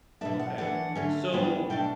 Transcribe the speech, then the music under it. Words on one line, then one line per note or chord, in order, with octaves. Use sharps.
Okay, so
B2 A3 D4 E5
F#5
E3 A3 D4 F#5
D3 A3 C#4
C#3 G3 B3 D4
B2 A3 D4 G5